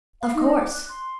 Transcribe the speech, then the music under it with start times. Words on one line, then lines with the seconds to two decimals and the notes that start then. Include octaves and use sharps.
'Of course!
0.20 F5
0.33 D#4
0.58 D6
0.70 F#6
0.90 C6